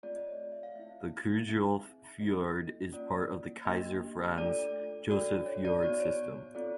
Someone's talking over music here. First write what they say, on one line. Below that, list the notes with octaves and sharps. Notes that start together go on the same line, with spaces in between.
The Kjerulf Fjord is part of the Kaiser Franz Joseph Fjord system.
A3 C4 F4 G#4 D5
D#5
C#5
D5
E5
F5
A3 C4 E4 E5
C4 D#4 G#4 E5
B3 D4 F#4 A4 D#5
A#3 C#4 F4 D5
A#3 D4 G4 D#5
A3 D4 F4 A4 D5
D4 F#4 A4 D5
C#5
D5
B3 D#4 F#4 D5
C#5
C4 F4 A4 D5